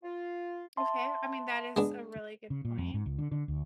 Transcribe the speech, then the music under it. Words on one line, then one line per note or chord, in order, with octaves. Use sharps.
Okay. I mean, that is a really good point.
F4
E5 A5 C6
G#3 B3 D4
C#3
A#2
F2
G#2
C#2
D3
D3
D2